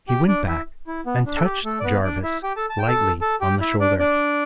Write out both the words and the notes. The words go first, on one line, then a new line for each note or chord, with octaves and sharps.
He went back and touched Jarvis lightly on the shoulder.
G4 G5
D4 D5
E4 E5
E4
B3
D4
A4
G4
A3 A4
D5
B3 B4
D4 D5
E4 E5
G4 G5
A4 A5
A5
G5
A4 A5
A4 A5
G4 G5
E4 E5
D4 D5
D4 D5